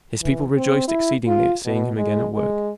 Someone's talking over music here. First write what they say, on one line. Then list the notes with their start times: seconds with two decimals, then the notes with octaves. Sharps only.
His people rejoiced exceedingly at seeing him again at work.
0.22 E3
0.56 C4
0.88 E4
1.27 F4
1.66 B2
1.97 G#3
2.34 G#3